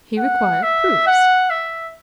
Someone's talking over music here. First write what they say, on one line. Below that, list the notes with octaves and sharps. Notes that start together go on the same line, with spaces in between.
He required proofs.
F#5
E5
F#5
E5